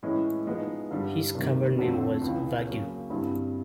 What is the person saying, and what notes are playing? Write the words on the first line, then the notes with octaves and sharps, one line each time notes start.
His cover name was "Vague".
A2 E3 G#3 C#4
F3 G#3 B3 D#4
G2 D3 G3
C3 D#3 G3 A#3
F2 D3 F3 A3 C4
C#2 C#3 E3
C#3 F#3 A#3 C#4
G2 D3 G3 C4 E4